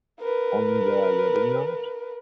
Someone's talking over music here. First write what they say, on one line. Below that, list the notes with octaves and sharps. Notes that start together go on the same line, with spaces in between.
On their wedding night?
A#4 B4